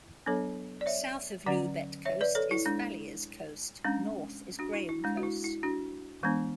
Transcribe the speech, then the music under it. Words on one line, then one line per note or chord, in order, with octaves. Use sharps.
South of Loubet Coast is Fallieres Coast, north is Graham Coast.
F#3 B3 D4 A4 C#5
D5
C#5 E5
D3 F#3 C#4 D5 F#5
C#5 E5
B4 D5
A4 C#5
E4
G#3 D4
G#3 C#4 D4
D4 F#4
E4
E4
G#3 D4
F#4
E4
E4
D4 F#4
E3 G#3 B3 D4